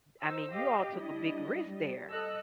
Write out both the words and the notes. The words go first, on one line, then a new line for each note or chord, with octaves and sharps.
I mean, you all took a big risk there.
D#4 C5 E6
G4 D#5 F5
G3 D4 E4 D#5
G3
A4 D#5 E6 F#6